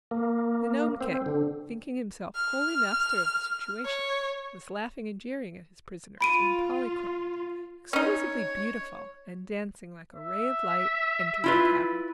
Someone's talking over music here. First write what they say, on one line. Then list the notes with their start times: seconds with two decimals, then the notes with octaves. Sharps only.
The Nome King, thinking himself wholly master of the situation, was laughing and jeering at his prisoners when Polychrome, exquisitely beautiful and dancing like a ray of light, entered the cavern.
0.11 A#3
1.01 C4
1.26 D3
2.35 F6
3.85 C#5
6.21 F4 B5 D7 D#7
7.93 C#4 D#4 C#5
10.15 E5
11.44 E4 F4 B4